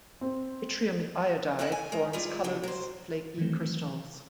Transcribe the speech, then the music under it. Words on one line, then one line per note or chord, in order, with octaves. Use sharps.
Yttrium iodide forms colorless flaky crystals.
C4
C4 E4 A4 D5 D#5 F#5
G#5
G#3 A#4 D#5
G3 G#3 E4 F4 G#4
C#3 F#3 G3 B3 D4
F#3 C5
D#3 E3 F#3 A3 C4